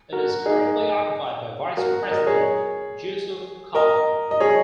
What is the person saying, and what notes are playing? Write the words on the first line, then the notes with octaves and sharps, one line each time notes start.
It is currently occupied by Vice President Jusuf Kalla.
F#4 A#4
D#4 G#4
F#4 A#4
A#4 D#5
G#4 C#5
A#4 D#5
D#5
G#4 C#5